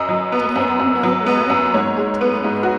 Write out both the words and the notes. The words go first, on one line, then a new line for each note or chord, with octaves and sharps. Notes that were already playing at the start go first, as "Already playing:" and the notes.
Did he at all know where he wanted to live?
Already playing: F#2 D#5
F#3
B3
F#2
F#2
F#3
B3
F#2
G#2 C#5
G#3
B3 B4
G#2
F#4